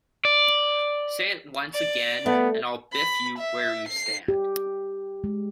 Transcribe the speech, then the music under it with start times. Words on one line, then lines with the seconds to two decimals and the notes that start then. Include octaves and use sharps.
Say it once again, and I'll biff you where you stand.
0.25 D5
1.73 D5
2.26 A3 B3
2.93 B5
3.38 E5
3.88 C7
4.28 G4
5.24 G#3